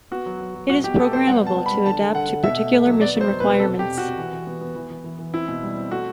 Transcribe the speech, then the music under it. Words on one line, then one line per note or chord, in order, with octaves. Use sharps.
It is programmable to adapt to particular mission requirements.
B3 F#4
F#3
F#3
F#3
B2 F#4
B2 G4
B3 A4
B3 C5
G3 F#5
C3 A5
B3
B5
G3
D3 A5
D3
D3 F#5
D3
B2 E5
A3
A3
F#3
B3 D5
F#3 C5
B2
B4
B2
C3 A4
C3
G4
C3
F#4
C3
E3
E3
B3
B3
E3
E3
E3
E3
C4 E4
B2
G3
C4
A3 F#4